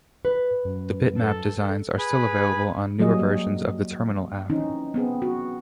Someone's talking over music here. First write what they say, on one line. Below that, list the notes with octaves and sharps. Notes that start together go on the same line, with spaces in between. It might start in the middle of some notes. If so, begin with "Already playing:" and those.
The bitmap designs are still available on newer versions of the Terminal app.
B4
F#2
A4
G#4 B4 B5
F#3 G3 A#3 G#4 D#5
E3 C4 C#4 D#4
B3 C4 G#4
F#4